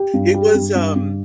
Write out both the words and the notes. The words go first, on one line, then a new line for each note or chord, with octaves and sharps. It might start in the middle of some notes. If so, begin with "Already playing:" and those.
It was, um
Already playing: G4
G2
G3
G2
G2
G2